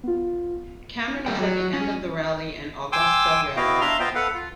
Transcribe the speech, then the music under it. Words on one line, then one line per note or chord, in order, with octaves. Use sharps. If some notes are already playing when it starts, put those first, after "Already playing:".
Cameron was at the end of the Raleigh and Augusta Railroad.
B3 F4
G4 A4 D5 F#5 G5
F#3
C#4
G5 G#5 C6 D6 E6
B3 E4 F#4 D#5 F5 G5
D4 E5 F5 A#5 C6
B3 F4 C5 D#5 F5 G5
A4 B4 F5 F#5
F4